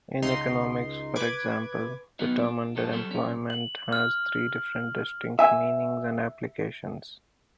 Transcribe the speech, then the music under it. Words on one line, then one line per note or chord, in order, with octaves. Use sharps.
In economics, for example, the term underemployment has three different distinct meanings and applications.
C#2 D#4 C6
B4 D6 G#6
B2 D#3 F#3 B3 D#4
D4
G2 F3 A4
F#3 G3 C4 A4
B1 C#4
F#7
F6
E5 G#5